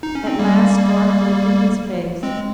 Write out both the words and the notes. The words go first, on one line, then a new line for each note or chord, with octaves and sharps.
At last Garth lifted his face.
D#4
C#4
C4
G3 A#3
G#3 C4